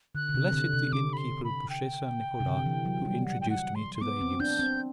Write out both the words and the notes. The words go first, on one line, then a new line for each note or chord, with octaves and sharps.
Blessed the innkeeper of Bouchet St. Nicholas, who introduced me to their use!
D3 F#6
D3
C3
D3
C3
D3 D6
B5
C6
B5
G5
C3
D3
E3
F#3
G3
F#5
G5
F#5
C6
C6
B3 D6
C4
D4 G6
C4